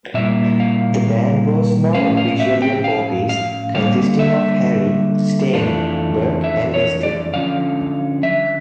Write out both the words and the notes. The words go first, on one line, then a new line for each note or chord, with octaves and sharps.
The band was now officially a four-piece, consisting of Harry, Stein, Burke and Destri.
A#2 G3 A#3 E4 E5
F5
A2 F3 A3 C#4 F5
F5
E5
G5
F5
F5
D3 G3 A#3 F5
E5
F2 E3 A3 D4 F4
E5
C#5
D5
D3 F3 C#4 F4 F5
E5